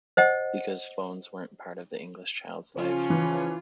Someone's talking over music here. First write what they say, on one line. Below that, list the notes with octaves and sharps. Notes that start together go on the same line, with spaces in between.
Because 'phones weren't part of the English child's life.
C5 D#5 F#5
C#3 F3 C#4 F4
E3